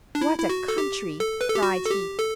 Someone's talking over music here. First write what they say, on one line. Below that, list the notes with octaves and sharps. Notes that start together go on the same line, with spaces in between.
"What a country!" cried he.
D4
E4
E4
F#4
A4
G4
A4
B4
A4
G4
F#4
A4
G4
A4